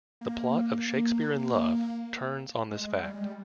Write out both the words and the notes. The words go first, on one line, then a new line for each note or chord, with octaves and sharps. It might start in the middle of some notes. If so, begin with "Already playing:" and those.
The plot of "Shakespeare in Love" turns on this fact.
A#3
G#3
G3
G#3
G3